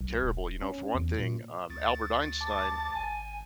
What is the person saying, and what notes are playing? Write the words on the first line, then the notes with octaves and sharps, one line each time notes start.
terrible, you know for one thing, um, Albert Einstein,
B1
D#1
C#4
E2
A#2
D2 A6
A5 D6
G#1 G#5